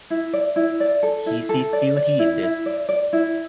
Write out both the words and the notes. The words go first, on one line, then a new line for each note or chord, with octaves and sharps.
He sees beauty in this.
E4
D5
E4
D5
A4
E4
A4
D5
D5
E4
E4
D5
D5
E4